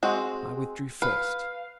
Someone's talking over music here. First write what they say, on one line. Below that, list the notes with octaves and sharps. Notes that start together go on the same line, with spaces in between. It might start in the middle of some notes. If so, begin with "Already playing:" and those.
I withdrew first.
G#3 C4 F#4
B4 F5